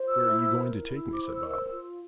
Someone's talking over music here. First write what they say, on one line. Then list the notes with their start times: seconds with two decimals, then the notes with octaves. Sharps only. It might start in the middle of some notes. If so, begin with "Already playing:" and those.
'Where are you going to take me?' said Bob.
Already playing: F4 C5
0.09 E6
0.24 E4
0.53 A#4
0.82 E4
0.98 E6
1.12 C5 D6
1.28 E6
1.42 A#4
1.72 F4